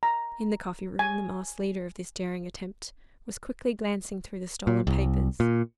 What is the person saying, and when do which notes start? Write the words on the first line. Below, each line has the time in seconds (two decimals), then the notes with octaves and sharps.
In the coffee-room the masked leader of this daring attempt was quickly glancing through the stolen papers.
0.03 A#5
0.99 G#5
4.67 A#2
4.87 C2
5.40 A#2